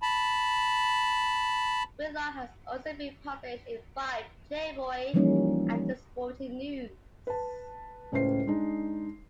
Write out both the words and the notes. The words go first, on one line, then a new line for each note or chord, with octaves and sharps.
Whitlock has also been published in "Vibe", "Playboy", and "The Sporting News".
A5 B5
E3 F3 G3 A#3 C#4 D#4
B4 A5
C#2 A2 C#4 B4 C5 C7
G#3 D4 D#4